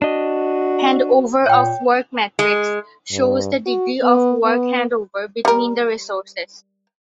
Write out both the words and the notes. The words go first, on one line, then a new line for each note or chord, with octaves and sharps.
Handover of work matrix shows the degree of work handover between the resources.
D4 F#4 D#5
A#2 C#5 G5
G#3
G2
F#4
B3
B3
G3 A#4